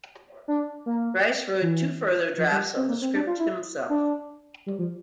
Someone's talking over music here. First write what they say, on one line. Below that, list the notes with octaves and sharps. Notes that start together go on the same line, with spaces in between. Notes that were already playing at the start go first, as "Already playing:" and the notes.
Gries wrote two further drafts of the script himself.
D4
A#3
E3
F3
G3
C4
A#3
C4
D4
F4
E4
D4
G3
F3